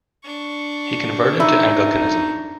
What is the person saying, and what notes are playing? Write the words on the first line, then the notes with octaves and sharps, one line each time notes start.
He converted to Anglicanism.
D4 C#6
D#4 E4